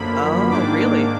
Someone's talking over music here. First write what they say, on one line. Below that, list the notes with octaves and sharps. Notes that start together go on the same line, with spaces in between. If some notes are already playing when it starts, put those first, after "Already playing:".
Oh, really?
Already playing: F#2 D3 F3 A#3 B5
G#2 D#3 A#3 D4 D6